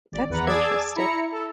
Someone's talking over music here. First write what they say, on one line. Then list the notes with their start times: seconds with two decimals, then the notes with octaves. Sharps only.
That's interesting.
0.12 G#1 D5
0.29 E2 B4 F#5 A#5
0.46 G#4 D5 A5 D6 E6 G#6
0.95 E4 A#5 C#7
1.32 A4